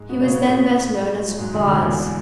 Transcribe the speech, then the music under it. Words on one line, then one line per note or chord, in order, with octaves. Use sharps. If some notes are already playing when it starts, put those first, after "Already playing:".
He was then best known as "Boz."
Already playing: G#2 G#3
B2 B3
C#3 C#4
B2 B3
A2 A3
F#3
G#2 G#3
D2 D3
D2 D3
E2 E3